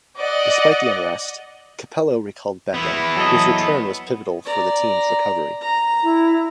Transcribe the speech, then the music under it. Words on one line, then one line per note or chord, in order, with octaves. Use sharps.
Despite the unrest, Capello recalled Beckham, whose return was pivotal for the team's recovery.
D5 D#5 F#5
B3 E4
F#3 A4 D#5
D5 A#5
A#5
E4